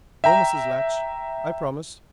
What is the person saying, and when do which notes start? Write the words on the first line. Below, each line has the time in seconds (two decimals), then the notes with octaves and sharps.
"No, Mrs. Latch, I promise."
0.24 E5 G5 A#5